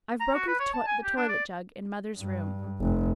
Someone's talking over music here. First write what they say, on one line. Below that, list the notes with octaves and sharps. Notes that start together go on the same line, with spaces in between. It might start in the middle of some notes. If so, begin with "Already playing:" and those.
'I've broken the toilet-jug in mother's room.'
A#5
F#4
B4
C#5
A5
G#5
G4
D4
D5
G2
F1